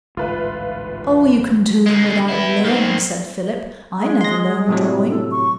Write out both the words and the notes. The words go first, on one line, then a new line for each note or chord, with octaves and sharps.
"Oh, you can do them without learning," said Philip; "I never learned drawing."
A1 D2 G#2 F4 B4 E5
D3 G#3
B3 E4
D#3 C4
G#3
C6 A#6
A2 C3 F#3
A4
C#6